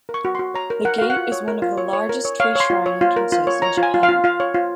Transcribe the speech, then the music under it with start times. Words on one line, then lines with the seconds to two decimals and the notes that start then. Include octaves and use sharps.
The gate is one of the largest three shrine entrances in Japan.
0.09 A#4
0.14 C#6
0.25 F#4
0.35 F#4 C6
0.54 C#5 A#5
0.70 A#4
0.85 A#4 F#5
0.98 F#4 F5
1.10 F#5
1.17 F4
1.32 C#5
1.48 A#4
1.62 F4
1.77 C#5
1.93 C#5
2.09 A#4
2.25 C#5
2.40 C#5 F5
2.56 C#5 C6
2.70 F4
2.86 C#5
3.01 F4
3.16 A#4
3.32 F4
3.47 C#5
3.62 C#5 A#5
3.77 F4
3.83 G#5
3.94 F4
4.03 F5
4.09 F4
4.24 F4 F5
4.40 C#5
4.54 F4